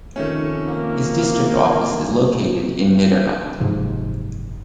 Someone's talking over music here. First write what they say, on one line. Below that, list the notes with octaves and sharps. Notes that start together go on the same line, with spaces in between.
His district office is located in Nederland.
F1 D#3 A3 C#4
A#3
F#1 G#2 C3 F3